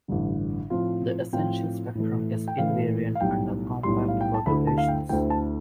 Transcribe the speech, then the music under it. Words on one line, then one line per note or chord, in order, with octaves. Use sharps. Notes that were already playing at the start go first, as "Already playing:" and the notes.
The essential spectrum is invariant under compact perturbations.
A1 G2 D3
A2 F3 C4 F4
A2 F3 C4 F4 G5
A2 E3 A3
G5
A2 E3 A3 F5
F5
B1 A2 G3 G5
B1 A2 G3 C6
F5
G5
A5
D2 D3 A3 E4 B5
A5
F5
G5
D2 D3 A3 E4 G5
A5